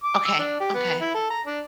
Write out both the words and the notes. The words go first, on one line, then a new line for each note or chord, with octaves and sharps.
Okay, okay.
D6
E6
D4
G4
B3
E4
A4
A#5
D4